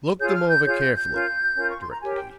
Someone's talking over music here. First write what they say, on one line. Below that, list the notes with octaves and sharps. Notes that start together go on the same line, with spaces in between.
"Look them over carefully," directed he.
F4 G#4 C#5 G6
E6
F6
G6
F4 G#4 C#5 G6
G6
G6
C#4 F4 A#4
C#4 F4 A#4
C#6
C6
A#5
G4 A#4 C#5 G#5
G5